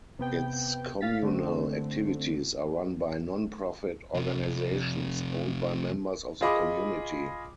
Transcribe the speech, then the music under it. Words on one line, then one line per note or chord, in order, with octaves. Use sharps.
Its communal activities are run by non-profit organizations owned by members of the community.
C3 B3 G5
F5 A6 B6
D3 A3 C4
F2 C3
F4 G#4 D#5 B5 D6